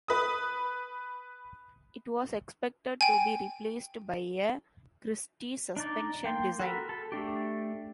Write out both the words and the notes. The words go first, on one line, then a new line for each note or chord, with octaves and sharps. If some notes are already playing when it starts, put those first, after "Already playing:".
It was expected to be replaced by a Christie suspension design.
B4 D#6
G5 G#5
D4 D#4 D5
A#3 G5 C6
F#4 A4 A#4 B5
A4
A3 D4 G4